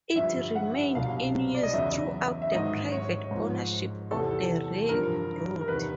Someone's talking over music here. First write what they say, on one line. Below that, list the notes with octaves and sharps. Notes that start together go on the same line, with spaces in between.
It remained in use throughout the private ownership of the railroad.
G2 D3 F3 E5
F#5
C2 B2 F#3 F5
D5
D#5
E2 C#3 F#3 E5
E5
G#2 D#3 F#3 D#5
C#5
G#2 F3
E2 C3 E3 A4
G2 D3 F3 A#4
A#4
E2 C3 D#3 B4